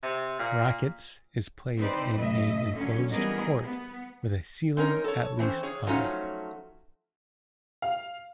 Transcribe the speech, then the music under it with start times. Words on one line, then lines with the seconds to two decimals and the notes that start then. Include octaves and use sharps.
Rackets is played in a enclosed court, with a ceiling at least high.
0.03 C3
0.39 A#2
1.77 C4 D#4 B4 C5 D5
2.15 F#2 A2 D#5 E5
2.73 D3 F#3 C#4
3.10 E3 G3 B3 G#4 A#4 D#5
3.63 B3
4.77 C4 C#4 D#4 A#4
5.04 A4 C#5
5.39 E3 C4 C#4 C5
5.63 G#4 C#5
5.87 F3 F#3 A3 C#4 D#4 F4
7.82 F5